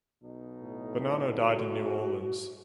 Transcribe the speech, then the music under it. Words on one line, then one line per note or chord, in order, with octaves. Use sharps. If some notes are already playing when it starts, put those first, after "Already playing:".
Bonano died in New Orleans.
B1 B2 D#4
A2
F#4